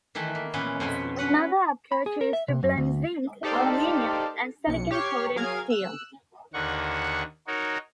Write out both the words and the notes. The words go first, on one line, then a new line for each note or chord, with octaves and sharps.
Another approach is to blend zinc, aluminum, and silicon-coated steel.
D#3 E3 A3 E4 B4
A#3
A#2 E3 B3 C#4
F2 B2 B3 B5
C#4 B4 F#5
B5
G#4
A#4
E5
C3
F#2
D2
D#4 G4 A4 C5 D5 F5
B1 C#7
G4 C#5 C#6 F6 C7
F#3 G#4 A#4 F5 F6 G#6
E6 F#6
D#2 D3 D#3 F#5 C#6
D#4 F#4 A#4 C#5